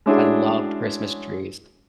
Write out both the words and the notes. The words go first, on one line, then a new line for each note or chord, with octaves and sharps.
I love Christmas trees.
G#3 C#4 D4 E4 F#4 G#4